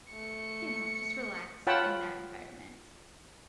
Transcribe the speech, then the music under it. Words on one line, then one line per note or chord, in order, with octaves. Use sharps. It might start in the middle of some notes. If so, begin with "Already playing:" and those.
you know, just relax in that environment.
A3 C#7
F4 C#5 F#5 G5 A5 B5